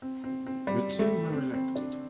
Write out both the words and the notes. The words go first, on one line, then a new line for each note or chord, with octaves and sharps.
The two were elected.
C4
C4
C4
G3
A3
C4
C4
D4